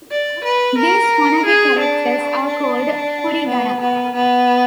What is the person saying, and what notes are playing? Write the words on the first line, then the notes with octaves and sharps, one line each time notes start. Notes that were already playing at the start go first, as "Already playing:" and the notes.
These phonetic characters are called okurigana.
D5
B4
A#4
G#4
D4
D4
B3
B3
B3